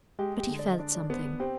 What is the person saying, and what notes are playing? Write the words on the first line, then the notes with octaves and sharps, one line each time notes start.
But he felt something.
G#3 G4
G4
D3
D5
D#5
D4 D5
D5
B3 C5
B4
C4 G4